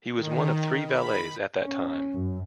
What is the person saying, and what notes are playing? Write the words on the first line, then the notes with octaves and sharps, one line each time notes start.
He was one of three valets at that time.
D#3
B5
C#4
F#2